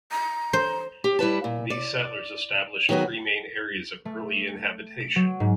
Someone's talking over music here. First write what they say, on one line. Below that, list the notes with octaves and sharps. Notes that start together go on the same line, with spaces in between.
These settlers established three main areas of early inhabitation.
A#5
C5
G4
G3 E4 B4 A5
A#2
D5
D#3 F#3 B3 F#4 G#4
A3
D7
F#3
G#2